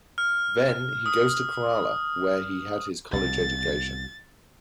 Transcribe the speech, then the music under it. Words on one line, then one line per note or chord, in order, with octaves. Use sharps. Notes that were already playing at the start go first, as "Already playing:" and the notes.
Then, he goes to Kerala where he had his college education.
F6
D#6
C2 B2 A6